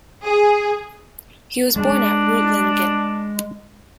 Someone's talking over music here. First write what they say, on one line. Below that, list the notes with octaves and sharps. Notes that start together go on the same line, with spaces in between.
He was born at Reutlingen.
G#4
G#3 D4